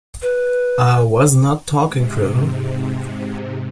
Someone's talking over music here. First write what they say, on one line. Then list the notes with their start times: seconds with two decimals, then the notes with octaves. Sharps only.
I was not talking drivel.
0.22 B4
1.83 G#2 C3